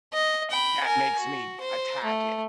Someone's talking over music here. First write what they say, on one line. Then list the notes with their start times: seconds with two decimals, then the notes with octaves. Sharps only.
that makes me attack it,
0.13 D#5
0.51 G5 B5
0.85 A#4 G#5
1.19 F#4
1.61 C5
2.04 A3